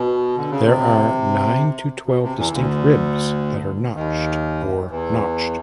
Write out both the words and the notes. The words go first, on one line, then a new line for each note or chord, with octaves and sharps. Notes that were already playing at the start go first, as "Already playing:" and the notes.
There are nine to twelve distinct ribs that are notched or notched.
Already playing: B2
D3
C#3
C3
B2
C3
E2 E3
D2 D3
D#2 D#3
E2 E3